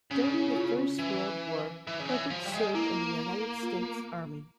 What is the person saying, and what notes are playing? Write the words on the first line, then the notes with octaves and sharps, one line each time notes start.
During the First World War, Herbert served in the United States Army.
C#3 C#4
E4
F4
C#4
E3
E3
C#3
E3
F3
G3
G#3
A#3 E4
F4